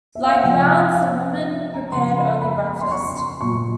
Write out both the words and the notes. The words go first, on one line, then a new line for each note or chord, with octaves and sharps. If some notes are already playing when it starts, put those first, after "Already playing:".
Like Bounds, the woman prepared only breakfast.
E5
F5
F#5
C3 F3 G5
F5
E5
A#5
C#3 F3 C6
B5
B5
B5
C6
C#6
C6
A#2 F#3 C#6